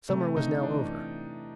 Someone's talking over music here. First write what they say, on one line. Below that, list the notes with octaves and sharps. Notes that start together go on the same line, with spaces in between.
Summer was now over.
C3 A3
C3 D#4
E3 D4